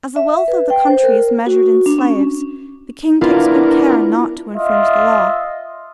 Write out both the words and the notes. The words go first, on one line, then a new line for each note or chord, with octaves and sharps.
As the wealth of the country is measured in slaves, the king takes good care not to infringe the law.
E5
B4
G5
C5
A#4
F#4
D4
C#4
B3 D4 E4 F4 A#4
F4 D#5 E5